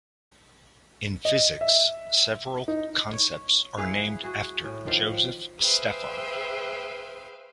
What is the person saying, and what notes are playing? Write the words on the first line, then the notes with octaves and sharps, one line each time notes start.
In physics, several concepts are named after Joseph Stefan.
D#5
E5
D#4
C#5
E4 G#4 B4 F5
F#4 G#4
A2
D#3 F3 F5
G#4 B4 C5 E5 F5 G5